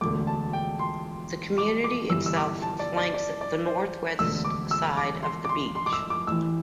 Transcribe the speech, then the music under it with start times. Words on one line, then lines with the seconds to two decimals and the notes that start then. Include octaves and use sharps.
The community itself flanks the northwest side of the beach.
0.01 E1 D2 D3 D6
0.27 A5
0.53 G5
0.79 C6
1.58 D6
1.84 D6
2.09 G1 G2 E3 G3 E6
2.26 E6
2.36 D6
2.62 A5
2.79 D5
2.97 D5
3.14 D5
3.41 D5
3.66 C5
4.19 E1 D2 D3 E6
4.45 D6
4.71 E6
4.97 D6
5.23 C6
5.45 D6
5.49 C6
5.75 C6
5.86 D6
5.93 E6
6.10 D6
6.27 A1 A2 E3 E6